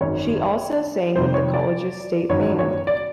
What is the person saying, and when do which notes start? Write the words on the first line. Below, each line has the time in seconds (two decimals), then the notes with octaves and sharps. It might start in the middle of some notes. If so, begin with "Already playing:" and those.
She also sang with the college's stage band.
0.01 G#1 F#2 D#3 C#5
1.15 F2 C3 D#3 G3 C5
1.34 C#5
1.54 D5
2.29 A1 G2 D#3 F#3 C#5
2.59 C#5
2.87 D5